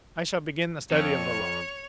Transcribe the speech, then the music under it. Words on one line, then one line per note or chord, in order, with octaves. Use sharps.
I shall begin the study of the law.
F2 C#5